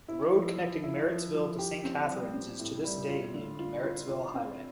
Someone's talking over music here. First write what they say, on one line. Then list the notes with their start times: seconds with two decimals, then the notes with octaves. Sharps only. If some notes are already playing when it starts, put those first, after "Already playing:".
The road connecting Merrittsville to Saint Catharines is to this day named Merrittsville Highway.
0.08 E4
0.33 F3
0.58 F3
0.83 E4
1.09 F3
1.34 F3
1.59 G4
1.84 C4
2.08 G3
2.33 C4
2.59 A2
2.84 G3
3.09 F4
3.34 D3
3.59 F4
3.84 F4
4.09 F4
4.34 C4